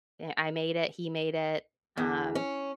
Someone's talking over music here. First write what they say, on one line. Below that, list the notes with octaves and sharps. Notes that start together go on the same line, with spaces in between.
eh I made it, he made it, um
E2
C#4